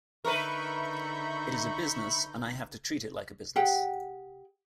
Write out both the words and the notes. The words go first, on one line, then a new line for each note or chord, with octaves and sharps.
It is a business, and I have to treat it like a business.
D3 D#4 A#4 B4 E5 B5 C#6 G6
G4 G#4 F#5 G5